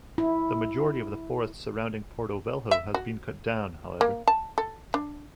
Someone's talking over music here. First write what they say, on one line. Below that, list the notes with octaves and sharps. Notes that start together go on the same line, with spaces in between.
The majority of the forest surrounding Porto Velho has been cut down, however.
E4
E5
F#4
A#3
A5
A4
D4